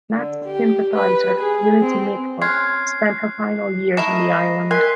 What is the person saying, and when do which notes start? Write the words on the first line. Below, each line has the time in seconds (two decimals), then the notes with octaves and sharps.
Nazi sympathiser Unity Mitford spent her final years on the island.
0.15 D3
0.45 G4
0.94 B4
1.39 G#4
1.81 C4
2.42 C#4 C6 F6 F#6 G#6 C7
3.97 A3 E4 A#4 D#5 E7
4.71 A#4 G#5 C6 F#6 B6